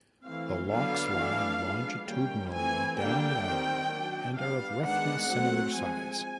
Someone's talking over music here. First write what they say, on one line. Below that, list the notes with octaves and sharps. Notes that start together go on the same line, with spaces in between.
The lochs lie longitudinally down the island and are of roughly similar size.
E3 A3 C4 F5
D3 F#3 B3 D4 F5
E3 A3 D4
F3 G#3 B3 D4
D#3 G3 A#3 C#4 G5
E3 A3 C4 G#5
D3 G3 A#3 D4 G5
D#3 G3 C4
F#3 A#3 D4
G3 B3 D4 F5
D#3 G#3 B3 D4 F#5
F#3 A3 C4 F#5
F3 G#3 C4 G#5